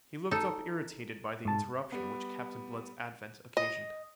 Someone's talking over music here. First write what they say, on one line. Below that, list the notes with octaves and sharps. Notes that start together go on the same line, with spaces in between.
He looked up irritated by the interruption which Captain Blood's advent occasioned.
D#4 A4
G#2 A5
G3 B3
D#5